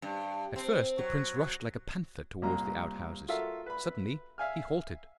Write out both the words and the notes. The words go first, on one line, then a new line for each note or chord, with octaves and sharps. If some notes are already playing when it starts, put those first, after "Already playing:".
At first the prince rushed like a panther toward the outhouses. Suddenly he halted.
G2
C4
F#3
C2 A#2 A#3 A#5
F4 F#4 A4 A#4 E5 F5
B4 B5
E5 F5 G#5 F6